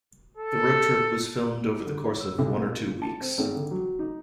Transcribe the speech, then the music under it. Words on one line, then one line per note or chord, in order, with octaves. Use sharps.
The road trip was filmed over the course of one or two weeks.
A4
D3
C#5
E6
B1
A#2
A5
C4
G#1
D3
F#3
D#4